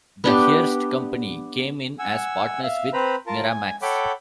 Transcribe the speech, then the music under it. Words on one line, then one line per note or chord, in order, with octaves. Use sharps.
The Hearst company came in as partners with Miramax.
B3 D4 G4
F#5 G#5 E6
E5 F5
C4 B4 C5 A#5 B5
F4 A#4 A5
G#5
A4 C#5 F#5 G5 B5 D6